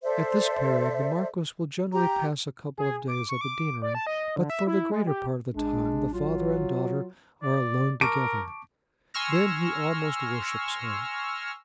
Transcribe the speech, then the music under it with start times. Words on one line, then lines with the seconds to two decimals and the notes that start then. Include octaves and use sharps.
At this period the Marquis will generally pass a couple of days at the deanery, but for the greater part of the time the father and daughter are alone together. Then he almost worships her.
0.03 A4 C5 D5 E5
1.93 G4 A#5
2.78 G#4
3.08 D6
3.29 C#6
3.41 D6
3.82 D5
3.95 A5
4.07 D#5
4.36 D3
4.50 E5
4.67 E4
4.92 G#3
5.07 G4
5.55 A1 G#3 D4
6.13 F#3 F4
7.43 D5
8.01 A#4 A5 C#6 D6 D7
9.14 G#5 C6 C#6 E6 F6 A#6